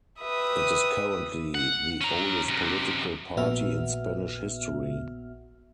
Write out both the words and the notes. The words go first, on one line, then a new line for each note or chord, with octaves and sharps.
It is the currently the oldest political party in Spanish history.
G4 B4 E5 D#6
F#5
C#4 A#5
F#2 C3
A#1 A#2 B3 F#4 E5 F6